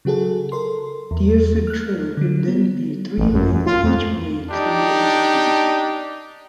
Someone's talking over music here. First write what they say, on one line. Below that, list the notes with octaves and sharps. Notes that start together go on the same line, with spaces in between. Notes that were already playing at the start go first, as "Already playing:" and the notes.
Deerfoot Trail would then be three lanes each way through the interchange.
C#3 F#3 F#4 G#4 A4
A4 A#4 C6
E2
F6 F#6
D3 F#3
B3
A1
F#2
F#2
F4
F2
D4 D#4 G4